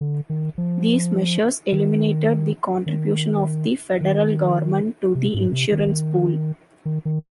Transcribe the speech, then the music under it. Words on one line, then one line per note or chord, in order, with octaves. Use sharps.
These measures eliminated the contribution of the federal government to the insurance pool.
D3
D#3
F3
D#3
D#3
D#3
C3
G#2
C3
D#3
D#3
D#3